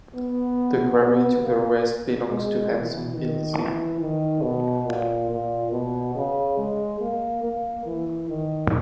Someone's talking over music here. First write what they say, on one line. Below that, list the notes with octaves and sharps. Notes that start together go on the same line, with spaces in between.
The quarry to the west belongs to Hanson plc.
B3
B3
A#3
G#3
E3
D#3
E3
D#3
B2
A#2
A#2
B2
C#3
G#3
A#3
A#3
E3
D#3